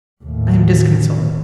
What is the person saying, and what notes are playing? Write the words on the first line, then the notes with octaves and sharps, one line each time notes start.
I am disconsolate.
D#2 A2